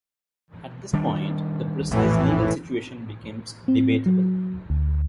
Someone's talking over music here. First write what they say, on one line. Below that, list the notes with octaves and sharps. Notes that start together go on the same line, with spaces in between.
At this point, the precise legal situation becomes debatable.
D#3 G3 D4
A#1 F2 A2 E3
C4
F#3
D2